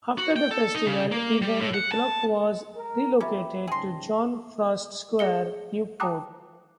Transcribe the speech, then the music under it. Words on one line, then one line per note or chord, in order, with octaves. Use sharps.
After the festival event the clock was relocated to John Frost Square, Newport.
F#4
G5
A4
D#4
C#3
A#3
G3
A2
F#5
A5
A#4
F3 C#4 G4 E5 B5 D6
C#2 G#2 C#3 G#4 G5 A5 C6 A#6
G#4 E5 C#7 G7
G5 A5 A#5 D6 D#6 F#6